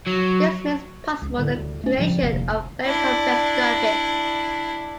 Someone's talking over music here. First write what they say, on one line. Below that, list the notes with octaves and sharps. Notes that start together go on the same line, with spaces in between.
This makes possible the creation of very complex graphics.
F#3
C#2
A2 D3 G3
D2
A3 C#4
A2 C#3 F3 G3
F1 D2 C3 A#3
D4 E4